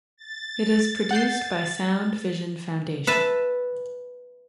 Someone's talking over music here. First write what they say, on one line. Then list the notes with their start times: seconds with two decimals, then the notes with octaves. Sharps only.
It is produced by Sound Vision Foundation.
0.17 A6
1.11 F#5 G6 C7
3.07 B4 E5 A5